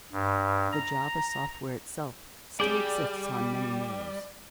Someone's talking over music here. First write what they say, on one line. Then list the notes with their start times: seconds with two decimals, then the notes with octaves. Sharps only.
The Java software itself still exists on many mirrors.
0.13 G2
0.72 A#5
2.60 G3 G#4 D5 G5